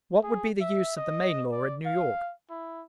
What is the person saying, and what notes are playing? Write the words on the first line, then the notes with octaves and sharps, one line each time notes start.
What would be the use of the Maine Law in New York?
G#4
E5
D#5
D5
F5
E4